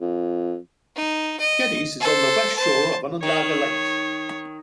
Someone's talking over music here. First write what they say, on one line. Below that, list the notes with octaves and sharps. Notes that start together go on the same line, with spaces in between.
Geddes is on the west shore of Onondaga Lake.
F2
D#4
D#5
A4 C5
C5 A5
D#3 C#5